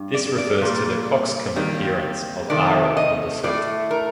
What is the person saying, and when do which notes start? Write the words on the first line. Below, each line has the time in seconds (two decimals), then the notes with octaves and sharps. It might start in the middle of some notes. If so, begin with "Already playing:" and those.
This refers to the cockscomb appearance of aril on the fruit.
Already playing: G2
0.15 D5
0.38 D5
0.62 A#2 G3 A#3
1.56 F2 D#3 G3 A#3
2.50 C3 D#3 A3 D5
2.97 D#5
3.44 A2 A3 D5
3.91 A#4